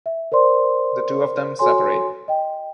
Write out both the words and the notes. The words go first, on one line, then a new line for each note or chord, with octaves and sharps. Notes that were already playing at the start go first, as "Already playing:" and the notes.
The two of them separate.
E5
A#4 C5 D5 C6
F#4 A4 C#5 G#5 C6
D#5 G5